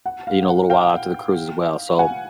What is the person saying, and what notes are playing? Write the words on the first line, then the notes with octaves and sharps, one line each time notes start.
you know, a little while after the cruise as well. So,
F#5
F5
F#5
F5 G5
F#5 G#5